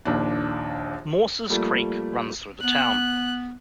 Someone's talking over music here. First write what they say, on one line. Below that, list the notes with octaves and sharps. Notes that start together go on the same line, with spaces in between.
Morses Creek runs through the town.
A#1 D#2 D4
A#2 F3 G3 A3 A#3
B3 F#6